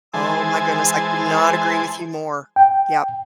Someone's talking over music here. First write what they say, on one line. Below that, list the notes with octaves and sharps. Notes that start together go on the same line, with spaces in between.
Oh my goodness, I could not agree with you more. Yup.
E3 G#3 C5 G#5 A5
G5